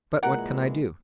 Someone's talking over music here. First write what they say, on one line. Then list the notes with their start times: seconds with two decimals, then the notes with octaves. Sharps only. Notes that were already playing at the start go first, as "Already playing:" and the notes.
But what can I do?
0.23 A#2 E3 G#3 A#4 F#5